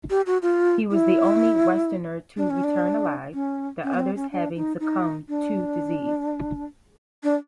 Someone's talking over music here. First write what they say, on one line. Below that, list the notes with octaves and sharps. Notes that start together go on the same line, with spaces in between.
He was the only Westerner to return alive, the others having succumbed to disease.
G4
F#4
F4
E4
D4
C#4
D4
C#4
C#4
B3
C4
C#4
D4
D#4
D#4
D4
D4